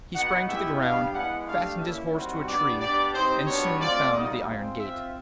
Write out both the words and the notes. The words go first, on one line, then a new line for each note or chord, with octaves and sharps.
He sprang to the ground, fastened his horse to a tree, and soon found the iron gate.
B3 D#4 F#4 F#5
G#3 B3 E4 G4 E5
G3 B3 D4 G4 F5
G#3 B3 E4 F#5
A3 D4 G4 F5
A#3 C#4 E4 E5
G3 C4 D#4 F#4
B3 D4 G4 D5
B3 D4 G4 D5
C4 D#4 G4 C5
G3 B3 D4 F#4 C#5
A3 C4 F4 D5
G3 A#3 D#4 F#4 D#5
G#3 C4 F4
C4 F4 E5